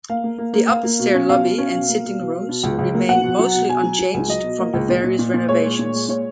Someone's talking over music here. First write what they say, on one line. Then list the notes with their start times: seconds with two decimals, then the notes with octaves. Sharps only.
The upper stair lobby and sitting rooms remain mostly unchanged from the various renovations.
0.10 A#3 F5
0.24 A#3
0.38 A#3
0.53 A#3
0.68 A#3 F5
0.83 A#3
1.00 B2
1.15 C#4
1.28 B2 F5
1.43 B2
1.58 C#4
1.74 B2
1.89 A#3
2.04 B2
2.19 B2
2.33 B2
2.49 B2
2.63 C#2
2.79 C#2
2.94 A#3
3.08 B2 F#5
3.23 B2
3.39 F#3
3.55 B2
3.68 B2 G#5
3.83 F#3
3.99 F#3
4.14 C#2
4.28 F#3 D#5
4.44 B2
4.58 A#3
4.74 C#2
4.89 A#2
5.04 A#2
5.19 A#2
5.34 A#2
5.49 G#3 C#5
5.64 G#3
5.79 A#2
5.93 G#3
6.09 A#2 C#5